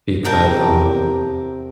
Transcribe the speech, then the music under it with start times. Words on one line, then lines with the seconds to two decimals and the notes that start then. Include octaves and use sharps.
because, um,
0.24 C3 A#4 G5 A5